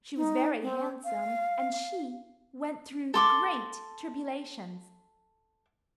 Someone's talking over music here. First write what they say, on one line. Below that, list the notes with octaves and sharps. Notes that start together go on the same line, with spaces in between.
She was very handsome and she went through great tribulations.
D#4
C4
F5
A4 C6 D6